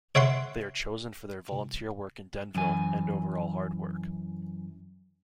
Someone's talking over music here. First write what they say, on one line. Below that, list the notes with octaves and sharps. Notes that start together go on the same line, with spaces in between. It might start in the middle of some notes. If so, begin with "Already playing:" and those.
They are chosen for their volunteer work in Denville, and overall hard work.
C#5 E5 F#5 C6
F#2 E3 G#5